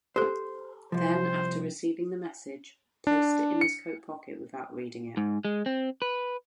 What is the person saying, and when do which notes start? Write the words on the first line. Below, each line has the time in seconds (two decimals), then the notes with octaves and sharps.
Then after receiving the message, placed it in his coat pocket without reading it.
0.16 G4 A4 C5
0.92 C2 F3 C5
3.07 D4
3.61 C#7
5.17 G#2
5.45 G#3
5.66 C4
6.02 B4